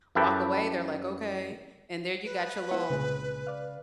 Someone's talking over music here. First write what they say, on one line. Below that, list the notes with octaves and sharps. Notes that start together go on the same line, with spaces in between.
Walk away, they're like, "Okay," and there you got your little
F#2 E4 G4 A4 B4 G5
B4
G#3 B3 E4 C5 F#5
C2 A#2 C#3 G#3
D5 F5